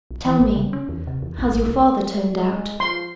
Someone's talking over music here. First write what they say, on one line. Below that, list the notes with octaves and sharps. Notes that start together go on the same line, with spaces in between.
Tell me, has your father turned out?'
B1
E3
A1
C#3
C#4
E2
C3
E2
A#1
G#1
C2
G#3
F3 C6